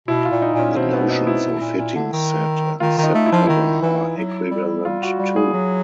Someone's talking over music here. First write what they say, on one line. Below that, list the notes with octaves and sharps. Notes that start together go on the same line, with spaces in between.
The notions of hitting set and set cover are equivalent too.
B2 E4
F4
A#2
D#4
A#2
C#4
B2 C4
B3
D#4
E4
B2
A#2
A#2
D3
D#3
D#3 F4
D#3
D#4
A3
E4
F3 F4
D#3 E4
E3
F#3
G3
G3 F4
F#4
G3
G#4
F#3